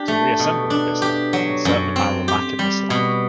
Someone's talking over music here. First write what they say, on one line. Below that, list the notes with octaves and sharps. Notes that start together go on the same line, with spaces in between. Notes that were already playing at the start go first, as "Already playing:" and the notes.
To reassemble the pistol, insert the barrel back in the slide.
Already playing: D4 G4
A3
B2
D4
G4
F#3
F#2
C4
G4
G3
B2